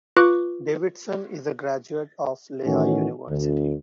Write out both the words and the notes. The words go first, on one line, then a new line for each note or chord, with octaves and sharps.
Davidson is a graduate of Lehigh University.
F4 B4 C#6 D6 F#6
A2 D#3 E3 C#4 F#4
D2